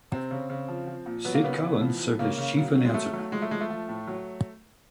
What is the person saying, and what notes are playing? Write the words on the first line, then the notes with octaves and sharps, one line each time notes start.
Sid Collins served as chief announcer.
C3 C4
C#3
C#3
F3
F3
A#2
F#3 B3
A#3
C#3 B3
E3
F3
F3
C#3 A#3
C#3
F#3
F#3
G#3
F#3 A3
F#3 A3
F3 G#3
A3
F3 G#3
A3
F3
A2
F#3